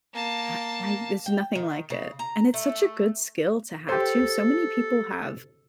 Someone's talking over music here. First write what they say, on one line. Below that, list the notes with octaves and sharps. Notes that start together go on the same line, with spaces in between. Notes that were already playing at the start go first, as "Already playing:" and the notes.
I I there’s nothing like it. And it’s such a good skill to have too. So many people have
A#3 A5
G5
D#3
C#3
A#5
A3
G4 A4 C5